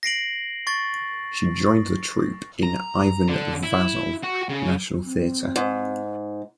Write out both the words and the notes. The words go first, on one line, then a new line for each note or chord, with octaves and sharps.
She joined the troupe in Ivan Vazov National Theatre.
A#6 C7 D7 F#7
C#6 A6
A#5
D3
E4
F#4
C#3
C4
G#2